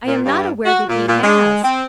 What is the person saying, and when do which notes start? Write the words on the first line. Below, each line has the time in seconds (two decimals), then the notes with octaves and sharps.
"I am not aware that he has."
0.06 A#2
0.25 G2
0.66 F#4
0.89 A#2
1.08 A#2
1.23 G#3
1.64 C4